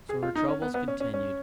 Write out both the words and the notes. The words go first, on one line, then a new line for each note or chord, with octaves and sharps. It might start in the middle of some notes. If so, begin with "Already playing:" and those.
So her troubles continued.
G#4
F4
D#4
C#4
B3
B3
C#4
C#4
C#4